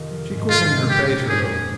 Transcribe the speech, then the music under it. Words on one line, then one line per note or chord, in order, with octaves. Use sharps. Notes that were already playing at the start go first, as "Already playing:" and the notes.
She quickened her pace a little.
Already playing: F2 C3 D#3
F3
G#2
D#4 F4
G#3
F3 G4
A#2
D4 G#4
A#3